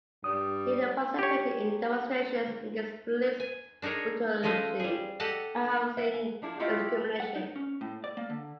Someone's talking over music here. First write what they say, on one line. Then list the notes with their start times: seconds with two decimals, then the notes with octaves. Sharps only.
They participated in demonstrations against police brutality and housing discrimination.
0.24 G2 G3 D#6
1.19 G4 C#5
3.40 G#5
3.82 D4 D#4 G#4 A#4 C#5
4.43 F3 G#3 A3 C#4 D#5 F5
4.80 G3 G#4
5.20 G4 A4 D#5 F#5 A5
5.97 B3 B4 E5
6.14 G#5
6.42 F3 D4 E4 G#4
6.59 A3 E4 F4 G4 D#5 E5
7.20 F#5
7.36 D#4
7.56 C#4
7.81 A2
8.04 D5
8.17 A#3
8.30 D3